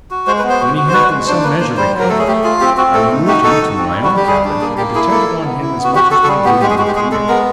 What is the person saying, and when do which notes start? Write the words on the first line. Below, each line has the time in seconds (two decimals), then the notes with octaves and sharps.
When he had in some measure recovered, I removed him to my own cabin and attended on him as much as my duty would permit.
0.11 F#4
0.27 G#3 C5
0.39 B4
0.43 B3
0.49 C5
0.61 F#4
0.77 F#4
0.88 C5
0.93 F#4 B4
1.10 G#3
1.27 D4 C5
1.44 A#3 B4
1.60 A#3 C5
1.77 G3 C5
1.94 F#3
2.00 A#4
2.09 A3 A4
2.19 G#4
2.27 A3 G4
2.43 F4 G#4
2.60 C4 G4
2.77 C4 F#4
2.94 A3 A4
3.11 D#4
3.27 F#4 G4
3.44 D#4 A4
3.61 F#4
3.78 C4
3.95 G3
4.04 F#4
4.11 G3
4.17 G4
4.27 G3 G#4
4.45 D4
4.61 A#3 G#4
4.77 A#3 G4
4.95 E4 G#4
5.11 A#3 A4
5.28 E4
5.44 B3
5.62 E4
5.78 B3
5.84 F#4
5.95 F#4 G4
6.11 F#4 A4
6.24 A4
6.28 G3 G#4
6.44 B3 G4
6.61 G#3 G4
6.70 G#4
6.78 G#3 F#4
6.87 G4
6.95 G#3 G#4
7.11 G#3 A4
7.28 B3 A#4